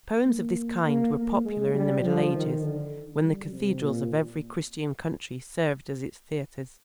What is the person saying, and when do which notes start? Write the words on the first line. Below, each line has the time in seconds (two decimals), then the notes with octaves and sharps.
Poems of this kind were popular in the Middle Ages when the cathedrals of every Christian country served as its theatres.
0.25 A#3
0.84 A#3
1.14 A#3
1.45 G#3
1.74 G3
2.03 F3
2.34 D#3
2.63 D3
3.23 G3
3.52 C3
3.82 A#2